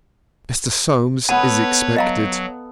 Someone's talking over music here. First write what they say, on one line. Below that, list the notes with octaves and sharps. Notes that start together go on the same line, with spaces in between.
Mr. Solmes is expected.
B3 A4 B4 C#5 F#5 A5
F#3 D#5 F5 A#5